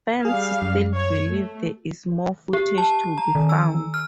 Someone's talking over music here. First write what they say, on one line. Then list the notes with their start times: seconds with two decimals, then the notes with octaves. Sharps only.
Fans still believe there is more footage to be found.
0.25 G3 G#4 F5
0.62 F#2
0.95 C#5
1.28 A3
2.53 G4
2.78 A5
3.18 A#5
3.35 D#3
3.49 E6
3.94 F6